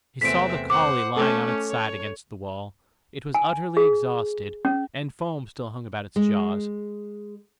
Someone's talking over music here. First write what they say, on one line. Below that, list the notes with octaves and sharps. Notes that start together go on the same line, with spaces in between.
He saw the collie lying on its side against the wall; it was utterly exhausted, and foam still hung about its jaws.
E2 C3 A3 C4 E5 B6 D7
C5 F#5 D6
A3 C#4 A4
C#5
G#5
G#4
C#4
G#3